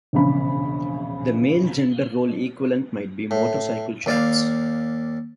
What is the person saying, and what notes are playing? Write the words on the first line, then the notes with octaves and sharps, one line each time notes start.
The male gender role equivalent might be motorcycle chaps.
E1 A#1 C#3 B5
A2
D#2 D5 F5